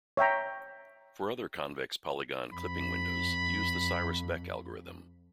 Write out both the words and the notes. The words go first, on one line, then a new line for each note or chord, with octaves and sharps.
For other convex polygon clipping windows, use the Cyrus-Beck algorithm.
C#5 E5 G5 A#5
F2 B5